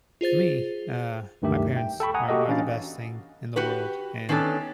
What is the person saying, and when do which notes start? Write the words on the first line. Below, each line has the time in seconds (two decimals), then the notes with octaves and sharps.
for me, uh, my parents are are the best thing in the world and
0.21 F4 G#4 C5 A6
1.42 D2 G2 D#3 A3 G4 E5
1.77 G5
2.00 A4 G5 B5 C#6
2.14 F#5 G#5 A#5 D#6
2.28 A#3 F#4 G4 A4 D#5
2.48 E3 C#4 D4 F5 A6
3.56 F#4 G4 B4
4.29 D#3 B3 C#4 D4 A4